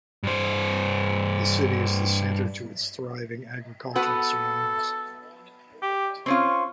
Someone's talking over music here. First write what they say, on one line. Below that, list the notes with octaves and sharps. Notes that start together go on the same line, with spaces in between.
The city is the centre to its thriving agricultural surroundings.
G2 C5
B3 F#4 A4 B4
G4
C4 C#4 F4 C#6